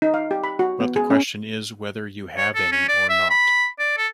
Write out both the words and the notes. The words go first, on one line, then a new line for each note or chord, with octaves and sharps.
But the question is whether you have any or not.
D#4
F5
G4
B5
F#4
B3
G#4
C#4
C#5
A4
C#4
D5
E5
B5
D5
A4